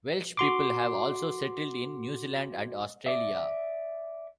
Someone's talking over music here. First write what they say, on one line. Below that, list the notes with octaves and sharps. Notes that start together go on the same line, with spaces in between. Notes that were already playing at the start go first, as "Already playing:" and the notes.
Welsh people have also settled in New Zealand and Australia.
F#4 C6 D6
D5 E5